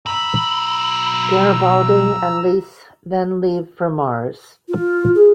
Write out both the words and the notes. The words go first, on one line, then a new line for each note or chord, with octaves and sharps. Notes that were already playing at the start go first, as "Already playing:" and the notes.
Garibaldi and Lise then leave for Mars.
B1 A#5 B5 E6
F4
G#4